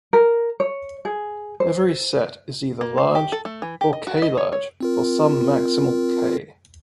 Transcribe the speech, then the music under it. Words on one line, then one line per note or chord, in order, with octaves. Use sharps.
Every set is either large or "k"-large for some maximal "k".
A#4
C#5
G#4
C5
A#3
C5
G4
A4
A3
E3
G4
D#5
F#4
D#5
C#5
C#5
C4 F4 A#4